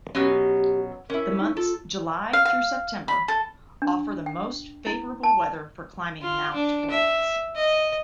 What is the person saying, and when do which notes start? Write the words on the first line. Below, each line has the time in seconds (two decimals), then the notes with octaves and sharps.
The months July through September offer the most favorable weather for climbing Mount Olds.
0.15 B2 F#3 C#4 G4
1.10 C#4 E4 A#4
1.39 D#4
1.57 F4 A4
2.33 F5
2.45 F5
3.08 B5
3.28 A4
3.82 D4
4.26 G5
4.87 E4
5.23 A5
6.22 F4
6.54 D4
6.90 E5
7.56 D#5